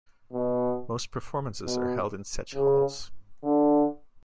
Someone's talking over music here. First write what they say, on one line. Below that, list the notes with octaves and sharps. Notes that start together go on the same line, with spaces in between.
Most performances are held in such halls.
B2
B2
C#3
D3